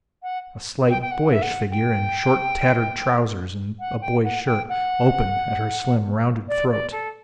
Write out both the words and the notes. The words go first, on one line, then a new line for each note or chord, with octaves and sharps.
A slight, boyish figure in short, tattered trousers and a boy's shirt, open at her slim, rounded throat.
F#5
G5
G5
F#5
E5
F#5
G5
F#5
G5
F#5
G5
F#5
D5
D5
A4